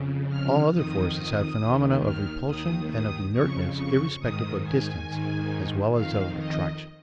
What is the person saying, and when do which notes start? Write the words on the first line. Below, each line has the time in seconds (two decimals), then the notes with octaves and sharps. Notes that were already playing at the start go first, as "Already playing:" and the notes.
All other forces have phenomena of repulsion and of inertness irrespective of distance, as well as of attraction.
Already playing: F2 C#3
0.29 F6
0.72 F2 D#3 D#6
1.60 D#2 D#3
2.03 F6
2.46 D#2 D#3 D#6
2.90 D#6
3.33 F2 C#3 C#6
3.76 C#6
4.20 G#2 D#3 D#6
4.63 G#5
5.07 G#2 D#3
5.94 F2 D#3 F5
6.36 D#5